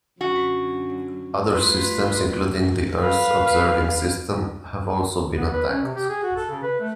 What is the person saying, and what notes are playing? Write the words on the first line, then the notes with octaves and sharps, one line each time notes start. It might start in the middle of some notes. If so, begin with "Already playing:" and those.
Other systems including the Earth Observing System have also been attacked.
F#2 D3 F#3 F#4
G3 A3 F4 B4 C6 F#6
B4 F5
B3
B4
C#4
C3
G4
G#4
F#4
A4
C#3
B4
A3